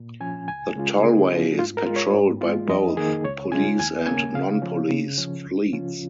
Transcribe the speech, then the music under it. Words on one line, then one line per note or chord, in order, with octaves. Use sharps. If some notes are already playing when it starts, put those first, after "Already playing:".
The Tollway is patrolled by both police and non-police fleets.
Already playing: A#2
F3 C#4 G#5
C#2 G#5
C#3 G#3 C#4 F4
C#3 G#4
F3 C#4 F4
G#2 F4
A#4
G#3 F4
C#5
G#2
G#3 F4
F2 D#5
D#3 A#3 D#4 G#4
C#2 C#5
C#3 G#3 F4 G#5
D#2 G#5
C#3 A#3 C#4 G#5
C#3 F5
F3 C#4
C#3
F3 C#4
C#2
C#3 F3 C#4 F4